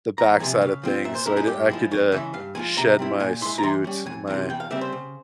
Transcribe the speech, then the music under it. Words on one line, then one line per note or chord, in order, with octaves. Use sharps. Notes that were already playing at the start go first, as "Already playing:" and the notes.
the backside of things, so I d I could, uh, shed my suit and my
E2 A#5
C3 F3 G#3 G#5
C#3 F5
F3 C4 F4
A#2 E5
C5
G#3 C#4 E4 A#4
G#4
G2 G4
F3 G#3 E4
F2 C#5
C#3 E3 G#3 C#4 E5
G2 F5
F3 G#3 C#4 F4 G#5
C3 A#5
G3 C4 E4
A#2 G#5
G#3 E4 C6
A#5
E3 C6
G3 C#4
F2 G#5
C3 E3
E2 G5
F5
C#3 G3 C4 E5
C5
C#3